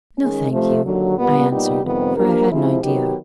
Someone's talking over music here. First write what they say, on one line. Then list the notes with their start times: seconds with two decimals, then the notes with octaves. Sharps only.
'No, thank you,' I answered, for I had an idea.
0.17 D#3 G#3 C#4
0.50 C3 F3 A3
0.84 D#2 D3 F#3
1.17 A#2 G3 B3
1.50 A#2 G3 B3 D#4 G4
1.83 F2 C3 D#3 G3 B3
2.16 F3 A#3 D4 G4 A#4
2.49 C3 F3 G#3 C4 E4
2.82 D#3 F#3 B3 D#4 G4